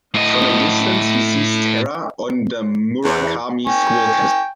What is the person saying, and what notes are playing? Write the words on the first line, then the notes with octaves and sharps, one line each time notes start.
From a distance, he sees Terra on the Murakami School campus.
A2 D#5
E2
G5 G#5 C#6